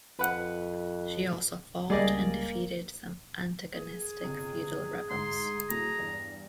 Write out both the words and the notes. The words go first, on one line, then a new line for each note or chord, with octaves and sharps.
She also fought and defeated some antagonistic feudal rebels.
F2 B4 F#5
C#2 G3 A#3 G#4 D5 D#5
A#3 G#4
G1 C3 D#6
D2 G#2 C6
A2 F#3 A3 A#5
E2 G2